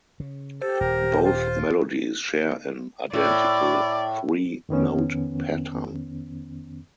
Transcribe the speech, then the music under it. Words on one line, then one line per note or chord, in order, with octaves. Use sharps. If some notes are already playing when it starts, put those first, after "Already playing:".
Both melodies share an identical three note pattern.
C#3
G4 A4 C5
D#1 A#4
F4
A2 D5
F2 D#3 B3 C#4